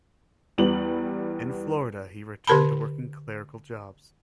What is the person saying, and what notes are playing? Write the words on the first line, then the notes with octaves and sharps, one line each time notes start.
In Florida he returned to working clerical jobs.
E2 G3 B3 F#7
D3 G4 A#4 A5 B5